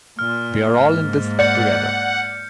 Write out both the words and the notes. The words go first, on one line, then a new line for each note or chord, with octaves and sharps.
We're all in this together.
A#2 F6
G#2 A#3
D5 F#5 G6 C#7